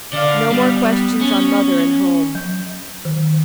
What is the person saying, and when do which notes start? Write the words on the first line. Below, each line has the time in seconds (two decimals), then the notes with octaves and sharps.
No more questions on mother and home!
0.13 D3 D5 F5
0.50 G3 B3
1.21 C#4
2.35 F#3
3.05 D#3